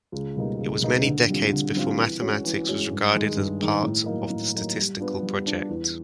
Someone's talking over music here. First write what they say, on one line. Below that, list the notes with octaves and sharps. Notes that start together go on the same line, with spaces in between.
It was many decades before mathematics was regarded as part of the statistical project.
C#2
B2 G3 A#3 D#4
C#2
B2 G3 A#3 D#4
D3
G3 C4 F4
D3
G3 C4 F4
E3
G#3 C#4 F#4
E3
G#3 C#4 F#4
G2
D#3 G#3
G2
D#3 G#3
A2
F#3 A#3 D#4
A2
F#3 A#3 D#4
G3
B3 D4 F4
G3
B3 D4 F4
E2